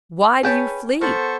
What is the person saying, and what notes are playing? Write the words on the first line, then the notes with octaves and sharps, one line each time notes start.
Why do you flee?
C#4 G#4 B4 C#5 G5 A5
B3 A4 A#4 C5 C#6